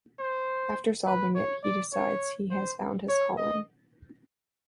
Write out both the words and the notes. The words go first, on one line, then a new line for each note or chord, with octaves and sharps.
After solving it, he decides he has found his calling.
C5
B4
C#5
D5
C#5
C5
C#5
D#5